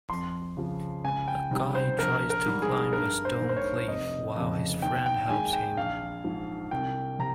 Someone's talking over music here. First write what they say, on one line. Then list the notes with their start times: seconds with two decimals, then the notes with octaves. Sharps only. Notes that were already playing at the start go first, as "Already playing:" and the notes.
A guy tries to climb a stone cliff while his friend helps him.
0.10 F2 C6
0.57 C#3 F3
1.04 C#2 G#5
1.28 G5
1.51 C3 D#3 G3
1.75 C5
1.99 A#1 A#4
2.30 A#4
2.46 G#2 G3
2.62 G#4
2.93 G2 A#4
3.25 C5
3.40 D#3 A#3
3.49 C5
3.57 C#5
3.88 F1 D#5
4.35 F2 C#3
4.82 D#2 G5
5.06 G5
5.29 D#3 G#3 G#5
5.53 G5
5.77 A#1 F5
6.24 G#2 F3
6.71 C2 G5
7.19 C3 A#5